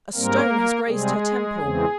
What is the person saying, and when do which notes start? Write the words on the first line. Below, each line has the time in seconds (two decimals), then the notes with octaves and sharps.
A stone has grazed her temple.
0.15 G#2 G3 A#3 C4 A#4
0.87 C3 G3 G#3 C4 G#4
1.60 E2 C#3 E3 G#3 C4